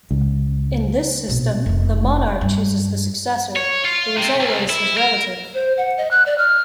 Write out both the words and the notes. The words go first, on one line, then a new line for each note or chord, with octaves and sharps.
In this system, the monarch chooses the successor, who is always his relative.
C#2
A#1 B2
F1 D#3
G2
C#5
F4
C3
C2
E4
A#4
C5
F#5
D#5
F#6
D5
F6